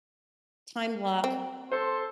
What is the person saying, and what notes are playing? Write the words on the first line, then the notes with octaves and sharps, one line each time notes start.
time block,
C4
A4 C5 C6